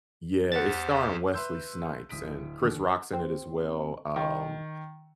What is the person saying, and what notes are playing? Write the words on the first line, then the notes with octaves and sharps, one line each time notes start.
Yeah, it's starring Wesley Snipes, and Chris Rock's in it as well. Um,
E2 G4 C5 F#5 A6
B4 E5 C6 E6 G6
D1 D#6 B6 D7
D#2 D3
C4
D#3